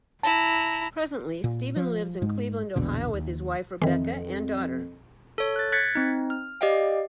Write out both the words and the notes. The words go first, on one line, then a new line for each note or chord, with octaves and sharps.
Presently, Stephen lives in Cleveland, Ohio with his wife Rebecca, and daughter.
E4 A5 A#5
A#2
F3
G#2 G#3
A#1 E2 B2 D3
D#2
F2 D#3 E3
A4 C#5
F#6 A6
F#6 G#6 A6 B6 C#7
C4 D#4
F6
G4 D5 D#5 F5 G5